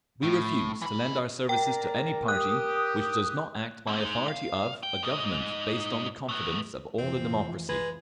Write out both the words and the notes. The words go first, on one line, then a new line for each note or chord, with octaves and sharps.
We refuse to lend our services to any party which does not act by authority of ... a Government based on the confidence of all the democracy....
A2
E3 B5
A#4 D5 G5 A#5
G4 D#6 F#6
A#3 C4
G#3 D#4
F5
G5
G#2 D#4
A3 B3
F1 E3 F3 C4
G#3 B4